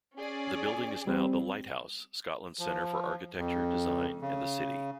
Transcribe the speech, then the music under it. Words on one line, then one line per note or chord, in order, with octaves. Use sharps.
The building is now the Lighthouse, Scotland's Centre for Architecture, Design and the City.
C#4 G#4 D5
G3 C4
F3
F2
C#3